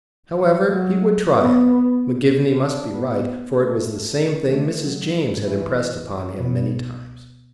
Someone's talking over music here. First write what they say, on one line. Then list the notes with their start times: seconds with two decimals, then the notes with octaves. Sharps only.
However, he would try it; McGivney must be right, for it was the same thing Mrs. James had impressed upon him many times.
0.42 F#3
0.72 F#3
1.36 B3
2.62 D4
2.92 B3
3.56 A3
4.51 A3
4.81 F#3
5.44 E3
6.39 B2